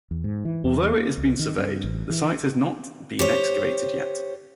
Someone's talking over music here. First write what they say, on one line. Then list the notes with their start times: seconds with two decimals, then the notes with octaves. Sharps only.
Although it has been surveyed, the site has not been excavated yet.
0.11 E2
0.24 G#2
0.45 E3
0.64 E2
0.93 A#3
1.18 C#2
1.39 D#3
1.58 G2
1.84 A1
2.10 E3
3.19 G4 C5 C#5